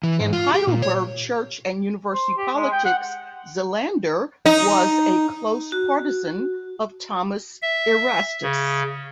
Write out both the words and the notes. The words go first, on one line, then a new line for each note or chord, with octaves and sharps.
In Heidelberg church and university politics, Xylander was a close partisan of Thomas Erastus.
E3
G#2
F4
G4
A#2
C#5
C5
G4
G#3
G5
F#5
D#4
F#4
E5
C#3